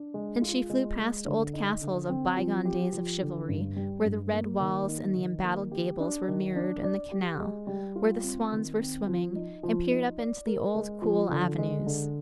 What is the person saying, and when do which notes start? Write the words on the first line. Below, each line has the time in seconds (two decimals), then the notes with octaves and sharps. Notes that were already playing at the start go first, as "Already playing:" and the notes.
And she flew past old castles of by-gone days of chivalry, where the red walls and the embattled gables were mirrored in the canal, where the swans were swimming, and peered up into the old cool avenues.
Already playing: D4
0.14 G#3
0.42 F4
0.70 G#3
0.98 G#3
1.26 D3
1.54 D#4
1.81 D3
2.09 C4
2.37 F3
2.65 G4
2.92 F3
3.21 D3
3.49 G2
3.76 G3
4.05 G2
4.33 A#3
4.60 D#3
4.88 D#4
5.17 D#3
5.44 A#3
5.72 G4
6.00 D4
6.28 D#3
6.56 D4
6.84 D5
7.12 G4
7.40 G#3
7.67 G3
7.96 F4
8.23 C4
8.52 D#3
8.79 C4
9.07 F3
9.36 D#4
9.63 F3
9.91 D#4
10.19 D5
10.47 A#4
10.75 G#3
11.02 F3
11.31 D3
11.58 G#3
11.86 D3